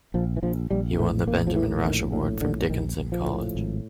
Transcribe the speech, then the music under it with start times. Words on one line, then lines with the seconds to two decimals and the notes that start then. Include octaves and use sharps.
He won the Benjamin Rush Award from Dickinson College.
0.14 A#1 F3
0.37 E3
0.43 A#1 F3
0.71 A#1 G3
0.98 A2 A3
1.27 A#1 A#3
1.47 F3
1.56 A2 E3
1.84 A#1 D#3
2.13 A2 D3
2.41 A#1 D3
2.69 A#1 D#3
2.98 A#1
3.12 F3
3.26 A2
3.55 G#1